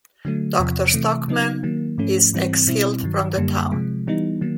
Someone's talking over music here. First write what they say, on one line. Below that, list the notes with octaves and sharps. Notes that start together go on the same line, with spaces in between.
Doctor Stockmann is exiled from the town.
D3 F#3 A3
E2 C3 F3
C3 E3 A3
C#3 F#3 B3 D#4
D#3 F#3 A#3
G#2 F3 A3 C#4
G#2 E3 G3 C4
B2 G3 C4 E4
G2 D#3 F#3
F#2 D3 G3 A#3
C3 F3 G#3
E3 G3 B3 D#4
D#3 F#3 A#3